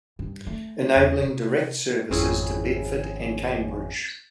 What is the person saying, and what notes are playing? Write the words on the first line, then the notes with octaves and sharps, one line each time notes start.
Enabling direct services to Bedford and Cambridge.
G2
A3
E2
C3
G#1 F2 C4 C#4 E4 G#4